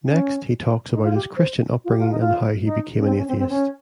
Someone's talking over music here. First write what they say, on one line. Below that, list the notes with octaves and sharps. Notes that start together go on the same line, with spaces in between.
Next, he talks about his Christian upbringing and how he became an atheist.
C#4
D#4
F4
G4
C5
F4
G4
F4
D#4
F4
D#4
C#4
C4
C#4
C4
C4
C#4